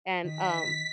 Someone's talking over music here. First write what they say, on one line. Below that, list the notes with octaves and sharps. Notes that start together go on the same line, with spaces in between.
And, um
D#3 B6